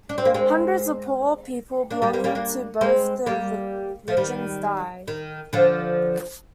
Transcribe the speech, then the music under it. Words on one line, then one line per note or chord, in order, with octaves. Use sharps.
Hundreds of poor people belonging to both the religions die.
D4
C4
A#3
G#3 C4
A#3 D4
G3 A#3
G3 A#3
G3 A#3
A#3 D4
G#3 C4
G3 A#3
F3
D#3 G3
D#3
D3 F3